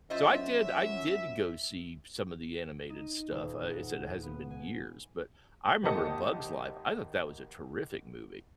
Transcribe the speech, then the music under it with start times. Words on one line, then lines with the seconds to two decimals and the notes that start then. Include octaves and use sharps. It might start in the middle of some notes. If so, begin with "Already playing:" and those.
so, I did I did go see some of the animated stuff, uh, I said it hasn't been years, but I remember A Bug's Life, I thought that was a terrific movie,
0.10 F#2 C#4 F4 C5 D#5 E5
2.90 D#4
3.31 D#1
3.69 F#5
4.23 B3
4.51 G#5
5.83 G#1 A#3 G4 D#5 A5 C#7